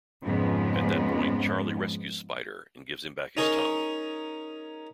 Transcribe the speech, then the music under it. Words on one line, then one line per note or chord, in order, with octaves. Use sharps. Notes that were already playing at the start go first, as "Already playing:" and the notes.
At that point, Charlie rescues Spider and gives him back his tongue.
F2 G#2 C#3 F3 G#3 B3
C#4 D#4 G#4 A#4 C#5